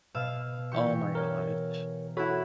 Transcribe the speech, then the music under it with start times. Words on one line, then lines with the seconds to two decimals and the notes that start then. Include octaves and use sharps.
Oh my gosh.
0.15 B2 F5 E6
0.72 E3 G4 C#6
1.15 A#4 C#5
2.17 E4 F#4 A4 C#5 F#5 B5